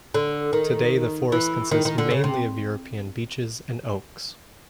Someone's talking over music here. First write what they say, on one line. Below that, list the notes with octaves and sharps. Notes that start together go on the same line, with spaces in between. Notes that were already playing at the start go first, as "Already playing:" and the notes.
Today the forest consists mainly of European beeches and oaks.
D3
D#3
E3
D#3
D#3
D3
C#3
C3